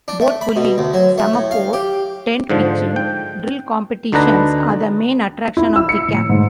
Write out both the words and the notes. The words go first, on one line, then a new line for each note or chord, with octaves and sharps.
Boat pulling, semaphore, tent pitching, drill competitions are the main attraction of the camp.
D4
A3
B5
B2
D2
F#3
A3
A2
F5
G4
G#2 D3 F3
G5
D2 D3 D4 D#4 B4 A#5
E4
E6
C#7
A2
G#2